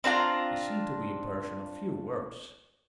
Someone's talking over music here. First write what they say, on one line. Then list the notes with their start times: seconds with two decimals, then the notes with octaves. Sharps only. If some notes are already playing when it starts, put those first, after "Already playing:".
He seemed to be a person of few words.
0.04 C4 D4 F4 A#5